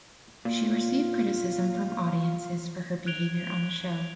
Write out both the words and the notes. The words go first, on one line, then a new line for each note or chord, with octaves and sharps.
She received criticism from audiences for her behaviour on the show.
A#2 F4
F#6 G#6 D7 F7 G7